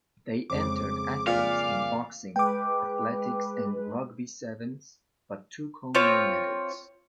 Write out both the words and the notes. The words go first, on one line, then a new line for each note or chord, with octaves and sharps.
They entered athletes in Boxing, Athletics and Rugby Sevens, but took home no medals.
F2 C#3 G#3 D6
A#2 F5
G#3 B4 G5 D6
C4 F4 C#5